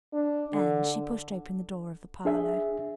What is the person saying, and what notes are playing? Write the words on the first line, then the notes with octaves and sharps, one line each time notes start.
And she pushed open the door of the parlour.
D4
D3
D4 G#4 E5